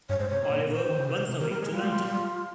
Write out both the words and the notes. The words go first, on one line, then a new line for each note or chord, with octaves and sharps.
Oliver runs away to London.
G2 C#5
G#2 C5
C3 C#5
A#2
C5
D#3
C#3
C3
C3
D#3 A#4
G3 A#4
G#3 G#4
G3 F4
G#3
G3